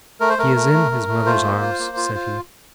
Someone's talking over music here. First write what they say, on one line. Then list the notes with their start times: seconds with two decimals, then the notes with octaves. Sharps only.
'He is in his mother's arms,' said he.
0.20 A3 A#4
0.30 C5
0.38 A3 A#4
0.56 A3
0.73 A3
0.91 A3
1.08 A3
1.26 F4 C5
1.44 A#3
1.62 F4
1.80 A#3
1.97 F4
2.15 F4